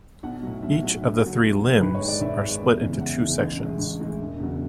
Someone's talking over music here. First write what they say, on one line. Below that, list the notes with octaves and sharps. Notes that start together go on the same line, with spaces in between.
Each of the three "limbs" are split into two sections.
B1 F#5
A2 F#3
B1 E5
A2 F#3
D2
D3 F#3
D2
D3 F#3
G#1 B4
C#5
G#2 G#3
D5
G#1 E5
G#2 G#3
E2
C#3 E3 G#3
E2 F#5
C#3 E3 G#3
A1
A2 E3 G#3
A1
A2 E3 G#3
E1
E2 C#3 F#3